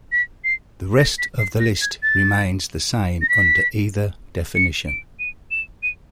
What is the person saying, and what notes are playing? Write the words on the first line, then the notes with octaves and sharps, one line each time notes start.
The rest of the list remains the same under either definition.
B6
C7
A#6
B6
C7
A#6
G#6
A6
A#6
B6
C#7
D7
D#7
E7
D#7